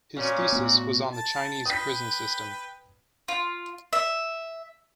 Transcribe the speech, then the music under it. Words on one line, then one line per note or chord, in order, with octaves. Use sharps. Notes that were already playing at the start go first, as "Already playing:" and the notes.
His thesis was on the Chinese prison system.
A#2 C#4 F#4
A2 B3 F#4
A5
B4 G5 D#6 B6
F4
E5